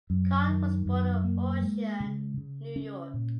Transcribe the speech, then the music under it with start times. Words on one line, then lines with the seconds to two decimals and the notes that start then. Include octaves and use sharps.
Card was born in Ossian, New York.
0.10 F#2
0.48 D#3
0.86 F#2
1.24 A#3
1.62 G#3
2.00 C#3
2.38 C#3
2.76 C#4
3.14 A#2